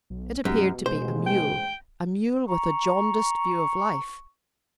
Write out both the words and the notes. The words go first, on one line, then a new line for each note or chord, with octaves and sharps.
It appeared to be a mule--a mule with a jaundiced view of life.
B1
F#2 B2 G#3 D#4 G4
A1 D#2 G#3 C5
G5
A#5 C#6